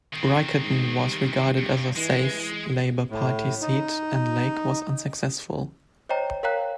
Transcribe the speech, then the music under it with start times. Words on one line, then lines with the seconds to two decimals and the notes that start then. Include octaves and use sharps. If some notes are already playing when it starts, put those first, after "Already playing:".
Riccarton was regarded as a "safe" Labour Party seat, and Lake was unsuccessful.
0.13 D#3 C4
0.64 G#2
0.98 G3
1.57 G2
1.96 E3 G#3
3.10 A2
3.62 D#4
6.09 C5 C#5 D#5 G5 A#5
6.43 A#4 C#5 F5 G5 A#5 F#6